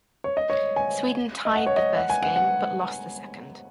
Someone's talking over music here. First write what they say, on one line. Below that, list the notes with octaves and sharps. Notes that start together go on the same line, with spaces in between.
Sweden tied the first game but lost the second.
C#5
D#5
C#5
G#5
D#5
F#5
C#5
D#5
F#5
G#5
F#5
F#5